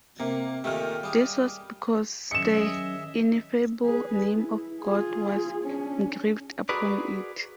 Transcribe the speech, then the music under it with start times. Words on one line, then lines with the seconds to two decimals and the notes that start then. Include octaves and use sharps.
This was because the Ineffable Name of God was engraved upon it.
0.20 C3 A#3
0.64 A#2 D#3 A3 G4 F6
1.03 G3 G#4
2.31 D#3 F#3 C#4 G#4 D#5 E5 C#7 E7
3.85 G#4 B4
4.34 E4
4.82 F4 G#4
5.64 C#4 D4
6.69 F#4 G#4 A#4 B4 D5